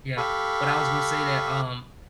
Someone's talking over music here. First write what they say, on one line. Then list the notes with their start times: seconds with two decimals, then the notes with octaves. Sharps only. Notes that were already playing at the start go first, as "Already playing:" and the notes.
yeah. But I was gonna say that, um,
0.17 G4 A4 F5 B5 C#6